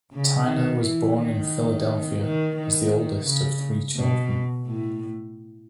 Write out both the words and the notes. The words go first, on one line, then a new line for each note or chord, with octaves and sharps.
Tyner was born in Philadelphia as the oldest of three children.
C#3
D#3
E3
D#3
D#3
D#3
C#3
B2
A2